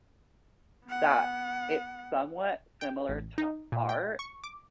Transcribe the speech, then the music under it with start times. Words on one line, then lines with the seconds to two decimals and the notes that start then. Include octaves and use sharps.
that it's somewhat similar to art
0.86 B3 F#5
2.81 G5
3.09 A1
3.38 D#4
3.72 A#2
3.89 G5
4.19 C#6
4.44 D6